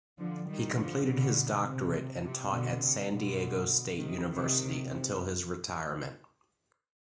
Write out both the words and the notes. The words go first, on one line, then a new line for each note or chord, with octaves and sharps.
He completed his doctorate and taught at San Diego State University until his retirement.
D3 F3
D#3 G3
D3 F3
B2 D3
C3
C3
B2 D3
C3
B2 D3
C3 D#3
C3 D#3
C3